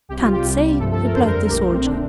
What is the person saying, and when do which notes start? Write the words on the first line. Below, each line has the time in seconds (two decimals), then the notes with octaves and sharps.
"Can't say," replied the soldier.
0.09 C2 C3 G3 G4
0.20 F4
0.32 G4
0.44 C2 C3 G3
0.79 G2 F3 A3 A4
0.91 A4
1.03 A#4
1.14 F2 D3 G3 C5
1.26 A#4
1.49 A#1 A#2 A3 G4
1.73 C4
1.85 D3 A3 D4